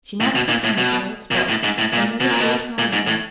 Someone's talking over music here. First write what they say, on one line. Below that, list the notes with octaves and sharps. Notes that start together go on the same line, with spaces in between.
She might talk to him of the old spot, and never fear tiring him.
A2
B2
A#2
A2
B2
A#2
B2
A2
G#2
A2
A#2
B2
A#2
B2
A#2
G#2
A2